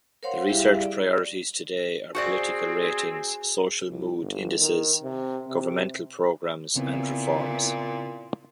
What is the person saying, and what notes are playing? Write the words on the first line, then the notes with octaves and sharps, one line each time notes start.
The research priorities today are political ratings, social mood indices, governmental programs, and reforms.
A#4 C5 C#5 F5 F#5 C6
G3 E4 G4 G#4 E5 F5
D5
C4 F#4 G#4 C5 D5
C2
G1
D#3
C3
C3
A#2 C#3 B3 C4 E4